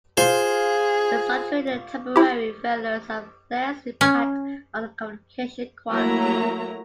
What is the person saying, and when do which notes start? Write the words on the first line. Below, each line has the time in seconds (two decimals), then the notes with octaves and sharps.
In such a way, temporary failures have less impact on the communication quality.
0.17 F4 G#4 C5
2.16 E4 G4
4.01 C#4
5.89 F#3 A3 A#3 E4 A#5